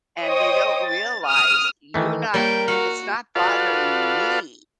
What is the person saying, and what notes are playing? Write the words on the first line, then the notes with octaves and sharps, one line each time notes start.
and they don't realize you're not "It's not bothering me"
C5 C#5 D#5 G5 D#6
A6
D#6 F6
D#3 E3 A3
G3 A#3 A#4 C#5 G5
F#4 F5 F#5
F4 F#4 A4 B4 D5 F5